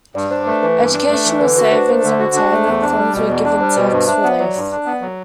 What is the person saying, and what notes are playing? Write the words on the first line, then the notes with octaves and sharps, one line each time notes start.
Educational savings and retirement funds were given tax relief.
G2 D5
D4 C5
A3 B4
E3 B4
G2
D4
A3
E3
D3 B4
F#4 B4
D4 C5
A3 C5
D3 C5
F#4
D4
A3
E2
D4
G3
B2
E2 D5
D4 D5
G3 C5
B2 B4
G2 C5
D4 E5
B3 D5
F#3 D5
G2
D4
B3
F#3